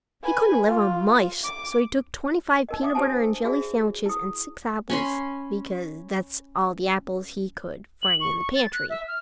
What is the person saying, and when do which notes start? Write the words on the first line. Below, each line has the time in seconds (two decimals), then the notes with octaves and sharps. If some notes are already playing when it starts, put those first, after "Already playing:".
He couldn't live on mice, so he took twenty-five peanut butter and jelly sandwiches and six apples, because that's all the apples he could find in the pantry.
0.23 B4 G#5
0.68 F4
1.44 D6
2.69 D#4 A#4 D#5
2.82 D4 E5 D6 D#6
2.95 G4 C5 E5 G#5 A5
3.45 F#4 G#4 D5 E5
4.06 E4 D#6
4.90 C#4 B5 C6
8.02 F#7
8.20 C#6
8.55 A6
8.72 F#6
8.90 E5
9.08 F6